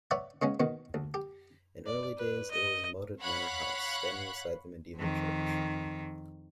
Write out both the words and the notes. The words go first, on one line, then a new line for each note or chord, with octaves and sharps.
In early days, it was a moated manor house, standing beside the medieval church.
B4 C#5 D5 E5 F#5
C#3 G#3 B3 C#4
B2 D#3 B3
D2
G4
D5
B4
D#5
C#5 F5 F#5 B5 F#6
F2 D#3